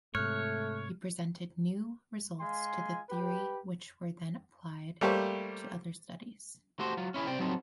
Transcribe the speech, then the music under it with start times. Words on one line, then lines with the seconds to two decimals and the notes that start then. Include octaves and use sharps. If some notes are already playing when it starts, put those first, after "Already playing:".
He presented new results to the theory which were then applied to other studies.
0.15 G#2 C3 A3 C#5 F6 F#6
2.40 G#3 F5 G#5 C6
3.09 G4 B4
5.01 G3 A3 A#3 G4 C5 C#5
6.79 A3 F#4 G4 A4 C5
6.97 F#3 F4
7.14 C#4 E4 G#4
7.27 C3 C5 D5 G5
7.40 F#3 G3 C4 D#4 A4